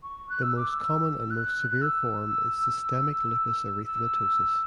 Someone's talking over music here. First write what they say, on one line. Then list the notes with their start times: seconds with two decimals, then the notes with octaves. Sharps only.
The most common and most severe form is systemic lupus erythematosus.
0.03 C#6
0.29 F#6
0.43 E6
0.56 D6
0.71 E6
1.31 F#6
1.71 F#6
1.82 E6
3.86 E6